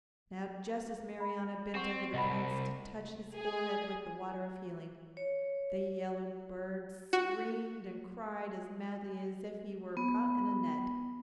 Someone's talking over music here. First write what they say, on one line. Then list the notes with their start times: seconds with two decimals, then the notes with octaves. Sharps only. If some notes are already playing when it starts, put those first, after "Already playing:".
Now just as Marianna bent over the Prince to touch his forehead with the water of healing, the yellow bird screamed and cried as madly as if he were caught in a net.
1.20 B5
1.75 C4 F#5 C#6
2.14 C2 D#5 F#5 B5
3.35 G#4
5.17 C#5
7.13 F#4
9.97 B3